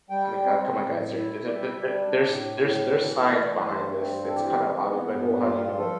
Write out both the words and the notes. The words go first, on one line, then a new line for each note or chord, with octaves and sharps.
I mean, "Co come on, guys, there's there's, eh there's there's, there's there's there's science behind this, it's kind of obvious," be like, "Well, how do you know?" Be like,
G3 G5
C4
A2
E4
D5
G3 E5
D4
A2
A2
E3
E5
A3
D5
B4
G2 C5
C4
A4
E3 G4
B3
G2
F4
F3 A4